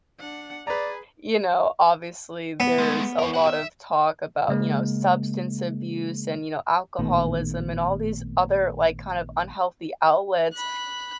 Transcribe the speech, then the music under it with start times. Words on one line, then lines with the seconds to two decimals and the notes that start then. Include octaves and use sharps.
you know, obviously there's a lot of talk about, you know, substance abuse, and, you know, alcoholism, and all these other, like, kind of unhealthy outlets.
0.19 D4 F#5
0.67 G#4 B4 D5 A#5
2.60 B3
2.78 G#3 A3
3.19 A#4 C#5
3.34 G4 F#5
3.47 E5
4.48 C#3 G#3 A#3
6.99 A1 A#2 D#3 A3 B3
10.53 B5 F#6